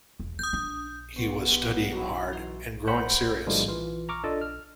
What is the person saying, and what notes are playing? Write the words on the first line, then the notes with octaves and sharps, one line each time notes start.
He was studying hard, and growing serious.
E1
C4 D#6 G6
D4
B3 D5 C6 C#6
G4 C6
F#3 D#4 E4
E3 A#5 C6
C5 F#5 B5
A2 D3 F3 G3 G#3 A#3
E3 F4
A#5 C#6 D6 F6
D4 F4 A4 D5 D#5
F6